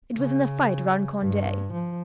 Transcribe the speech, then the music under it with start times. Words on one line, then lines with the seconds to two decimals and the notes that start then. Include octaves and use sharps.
It was in the fight round Conde.
0.16 C#3
1.20 G2
1.72 F3